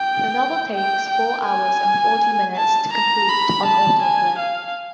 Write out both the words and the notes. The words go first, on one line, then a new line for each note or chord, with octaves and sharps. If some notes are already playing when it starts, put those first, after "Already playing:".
The novel takes four hours and forty minutes to complete on auto play.
Already playing: G5
G5
G5
G#5
A5
A#5
B5
A5
G#5
F5